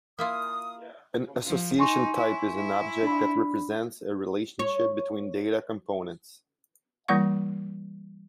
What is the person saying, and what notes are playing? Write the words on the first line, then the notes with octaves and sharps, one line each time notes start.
An association type is an object that represents a relationship between data components.
A#3 E4 F4 D#6
F3
D#4 G#5 C6 C#6
E4
E4
D4 B5
C#5
E3 G3 A#3 E4 F#5 C#6